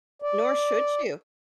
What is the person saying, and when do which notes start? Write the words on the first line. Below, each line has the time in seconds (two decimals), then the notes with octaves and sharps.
Nor should you.
0.22 D5